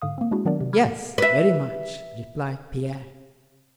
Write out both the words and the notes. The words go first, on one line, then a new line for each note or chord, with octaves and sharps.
"Yes, very much," replied Pierre.
G#2 D3 F5 D#6
A#3 C4
G#3 D4 E4 F#4 G#4
D#3 F#3 B3 D4 A#4 D5
C3
B5 D6 F6 G#6
B4 E5